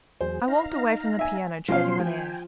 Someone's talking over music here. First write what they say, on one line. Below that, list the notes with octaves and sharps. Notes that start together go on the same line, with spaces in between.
I walked away from the piano treading on air.
E2 F#3 G#4 C5
D#4 F5 A#5
E5 G#5
B2 F3 C#4 C5 F5 C6
F3 G5 G#5